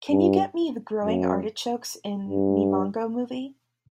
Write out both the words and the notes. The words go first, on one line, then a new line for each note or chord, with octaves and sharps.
Can you get me the Growing Artichokes in Mimongo movie?
G2
F#2
G2